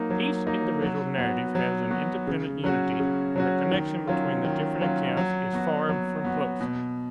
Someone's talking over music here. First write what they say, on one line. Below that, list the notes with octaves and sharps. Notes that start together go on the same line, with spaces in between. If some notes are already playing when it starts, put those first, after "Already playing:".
Each individual narrative has an independent unity and the connection between the different accounts is far from close.
Already playing: F#3 A#3 D#4
F#3
A#3 D#4
F#3
B3 F#4
F#3
B3 F#4
C#3
F#3 C#4 F#4
C#3
F#3 C#4 F#4
D#3
F#3 C#4 F4
D#3
F#3 C#4 F4
F#3
B3 F#4
F#3
B3 F#4
B2